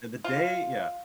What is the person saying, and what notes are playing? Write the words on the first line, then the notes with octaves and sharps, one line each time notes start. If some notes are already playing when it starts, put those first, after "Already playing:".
and the day yeah.
F4